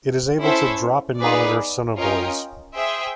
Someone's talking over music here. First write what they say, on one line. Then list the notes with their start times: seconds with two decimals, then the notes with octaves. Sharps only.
It is able to drop and monitor sonobuoys.
0.42 C#4 E4 A4 C5 E5
1.20 B3 D#4 G#4 B4 D5
1.98 C#4 F4 A#4 D#5 G5
2.76 G#4 C5 E5 G5